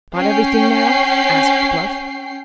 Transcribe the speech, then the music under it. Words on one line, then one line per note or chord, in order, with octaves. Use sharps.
"Got everything now?" asked Bluff.
C#4 G5 C7